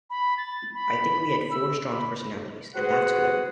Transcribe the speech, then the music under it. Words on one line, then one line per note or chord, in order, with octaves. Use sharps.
I think we had four strong personalities, and that's good.
B5
A6
B5
E6
B5
F#4 G#4 B4 C5 F#5